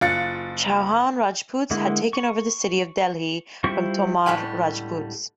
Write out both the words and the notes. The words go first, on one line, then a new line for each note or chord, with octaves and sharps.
Chauhan Rajputs had taken over the city of Delhi, from Tomar Rajputs.
F#1 F4 F#6 A6 C#7
D3 G#3 A#3 E4
C#6
G3 E4 F4 C5 C#6
C#2 A2 D3 G3 F#5 G#5